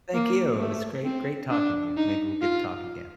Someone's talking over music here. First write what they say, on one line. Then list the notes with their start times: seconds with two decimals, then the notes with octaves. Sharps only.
Thank you. It was great great talking to you. Maybe we'll get to talk again.
0.14 A#3
0.60 A3
1.05 C4
1.51 D4
1.97 D#4
2.42 F4